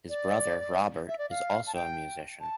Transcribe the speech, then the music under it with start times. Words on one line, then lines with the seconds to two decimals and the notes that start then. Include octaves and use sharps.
His brother, Robert, is also a musician.
0.09 D5
1.08 E5
1.19 D5
1.30 F5
1.67 A5
1.75 G5
2.41 A5